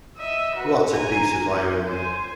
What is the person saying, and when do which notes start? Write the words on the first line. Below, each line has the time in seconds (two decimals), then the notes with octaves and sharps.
What a piece of irony!
0.17 D#5 E5
0.56 F#4 B4
0.92 G#5 A#5
1.51 C#4
1.87 C5 G#5